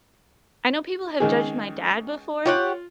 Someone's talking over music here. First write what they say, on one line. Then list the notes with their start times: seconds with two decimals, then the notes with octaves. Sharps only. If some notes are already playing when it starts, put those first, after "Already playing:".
I know people have judged my dad before
1.20 C#2 D#3 G#4
2.46 F4 G4 C#5 F#5